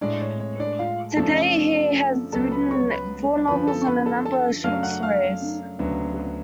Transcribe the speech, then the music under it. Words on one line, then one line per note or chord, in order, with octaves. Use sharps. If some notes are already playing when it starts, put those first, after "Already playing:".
To date he has written four novels and a number of short stories.
A2 G#3 D4 D5
C#5
C#5
D4 D5
F4 F5
F#2 C#3 F3 A3 D4 A4 A5
C#2 C#3 F#3 B3 A4 A5
B4 B5
C#5 C#6
B4 B5
F#2 D3 F3 B4 B5
A4 A5
C#6
B4 B5
A4 A5
A4 A5
F#2 C#3 F#3 A3 D4 F5 F6
F#5 F#6
F5 F6
D2 C#3 F#3 B3 D4